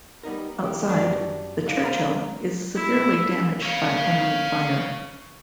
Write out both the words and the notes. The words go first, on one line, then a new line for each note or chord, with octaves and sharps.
Outside, the "Churchill" is severely damaged by enemy fire.
G3 B3 D#4 A#4
E3 G4
F#2 G3 D4 F#4
D2 F#3 D4 D#4 F5
A#4 C5 D5 F5 A#5 B5
E4
C#5 F5